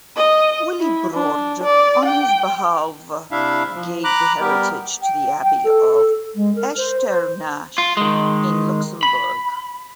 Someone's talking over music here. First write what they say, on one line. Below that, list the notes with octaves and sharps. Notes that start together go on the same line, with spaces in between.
Wilibrord on his behalve gave the heritage to the Abbey of Echternach in Luxembourg.
D#5
E4
D4
D5
G5
C3 D4 E4 E5 F5
F3
A#5 B5 D6 F#6
G3 B3 G4 A#4
G5
G5
A4
G#3
A#4
C5
C5
F4
D#3 G#3
B5